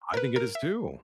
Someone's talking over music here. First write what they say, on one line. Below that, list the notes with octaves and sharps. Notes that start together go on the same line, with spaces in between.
I think it is too.
A#4
B4
A#4
E5